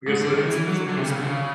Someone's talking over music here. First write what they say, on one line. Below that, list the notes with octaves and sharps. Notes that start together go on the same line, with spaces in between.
I guess it's it's interesting.
G#2
D3
D#3
E3
F#3
D3
C3
C#3
D3
C#3